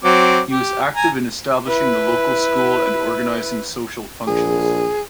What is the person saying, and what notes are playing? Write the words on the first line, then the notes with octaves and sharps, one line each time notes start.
He was active in establishing the local school and organising social functions.
F#3 C4 D6
G4
G#5 A#5
E4 B4
A#1 G#4